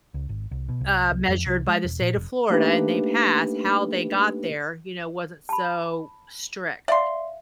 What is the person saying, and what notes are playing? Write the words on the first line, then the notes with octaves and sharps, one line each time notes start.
f uh, measured by the state of Florida and they passed, how they got there, you know, wasn't so strict.
C#2
G#1
C2
B2
C2
C2
F2
C2
G#3
E1
A#2
F1
A3 A#3 D4 D#4 G4 B4
A5 B5
D5 E5 F5 C6